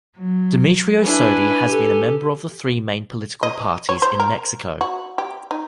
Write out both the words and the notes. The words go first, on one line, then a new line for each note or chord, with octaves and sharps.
Demetrio Sodi has been a member of the three main political parties in Mexico.
F#3
D4 E4 B4 G#5
G4 A4
D#5
C#5
C5
A#4
F#4
G4
D#4